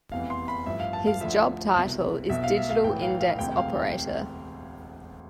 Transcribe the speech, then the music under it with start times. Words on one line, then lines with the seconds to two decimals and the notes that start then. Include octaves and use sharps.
His job title is digital index operator.
0.12 F1 E2 C3 E3 F5
0.30 C6
0.48 B5
0.66 A1 G2 F3 E5
0.80 F5
0.93 A5
1.07 F5
1.20 D2 D3 F3 E5
1.75 C2 B2
2.29 B1 B2 E5
2.44 F5
2.57 E5
2.70 F5
2.84 B1 A2 E3 G5
3.02 F5
3.21 F5
3.39 E1 D2 C3 E3 G5
3.57 F5